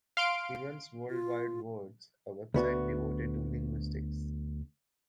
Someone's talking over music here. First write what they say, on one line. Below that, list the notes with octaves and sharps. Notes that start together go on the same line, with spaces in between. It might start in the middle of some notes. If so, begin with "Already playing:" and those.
He runs World Wide Words, a website devoted to linguistics.
F5 C6 D7
F4
D2 B3 F#4